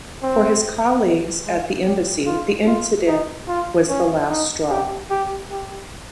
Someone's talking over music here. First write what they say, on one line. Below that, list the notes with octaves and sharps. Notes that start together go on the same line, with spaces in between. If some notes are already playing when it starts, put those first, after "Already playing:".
For his colleagues at the embassy, the incident was the last straw.
C4
G#3
G4
F4
F4
D#4
F4
C#4
D#4
G4
G4
G4